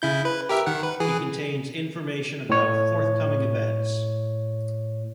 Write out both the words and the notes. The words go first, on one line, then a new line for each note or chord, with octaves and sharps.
It contains information about forthcoming events.
C#3 E4 G6
B4
G4 A#4 E5
D#3 F#5
B4
E3 G#4
A2 C#5